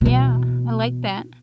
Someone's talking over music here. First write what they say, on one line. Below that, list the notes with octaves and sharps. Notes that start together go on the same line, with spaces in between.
Yeah, I like that.
B2 E3